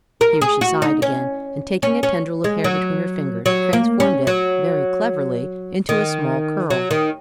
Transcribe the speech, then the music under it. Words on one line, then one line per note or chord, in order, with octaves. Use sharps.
Here she sighed again, and, taking a tendril of hair between her fingers, transformed it, very cleverly, into a small curl.
A#4
G#4
F#4
D#4
C#4
C#4
C#4
G#3
F#3
F#3
A#3
C#4
F#3
D#3
F#3
D#3